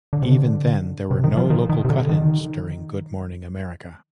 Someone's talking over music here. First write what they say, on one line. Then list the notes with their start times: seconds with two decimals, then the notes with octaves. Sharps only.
Even then, there were no local cut-ins during Good Morning America.
0.13 D3
0.22 C3
0.31 D3
1.11 C3
1.24 D#3
1.37 F3
1.50 D#3
1.69 D#3
1.85 C3
1.90 D3
2.09 D#3